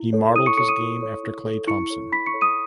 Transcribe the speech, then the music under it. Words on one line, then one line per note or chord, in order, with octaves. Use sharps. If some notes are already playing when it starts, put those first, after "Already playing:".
He modeled his game after Klay Thompson.
Already playing: E4
A4 C#5
E4 D#6 D#7
C#6 C#7
A4 C#5 C#6 C#7
D#6 D#7
E4
A4 C#5
E4
A4 C#5
E4 C#6 C#7
A4 C#5
E4 B5 B6
C#6 C#7
A4 C#5
D#6 D#7